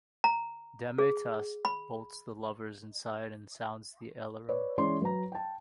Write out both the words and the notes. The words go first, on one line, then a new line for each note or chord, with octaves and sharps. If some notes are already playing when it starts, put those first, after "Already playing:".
Dametas bolts the lovers inside and sounds the alarum.
A#5
G#4
B5
B4 C#5 D5
E3 G#3 C#4 C#5 D5 C6
F#3 B4 A#5
G5 A5